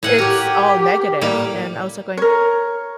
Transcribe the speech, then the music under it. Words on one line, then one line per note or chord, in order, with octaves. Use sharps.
it's all negative. And I was, like, going,
A2 F#5 G#5
G4 A#4 C#5
A2 G3 A#3
A#4 C#5